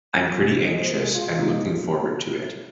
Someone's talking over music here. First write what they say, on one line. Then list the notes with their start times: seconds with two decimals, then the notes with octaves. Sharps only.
I'm pretty anxious and looking forward to it.
0.15 G#5
0.41 C3 G#3
0.65 D#5
0.78 C5
0.89 C3 A#4
0.94 G#3
1.02 G#4
1.15 F4
1.27 F4
1.39 C3 F3 G#3 D#4